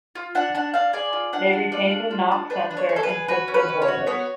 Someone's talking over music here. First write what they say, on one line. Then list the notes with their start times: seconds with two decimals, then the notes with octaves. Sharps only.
They retained the knock sensor and piston oilers.
0.15 F4
0.35 D4 F#5
0.55 D4 F#5
0.74 D4 F5
0.93 G#4 D5
1.13 F4
1.33 D4 F#5
1.53 D4
1.72 F4 D5
1.91 D4
2.11 F4
2.31 D4
2.50 D4 B4
2.71 D4
2.77 C#5
2.89 G#4
2.96 A4
3.03 B4
3.09 G#4
3.28 F#4 B4
3.48 C#4
3.54 B4
3.68 C#4
3.82 C#5
3.88 F#4
4.06 B3 C#5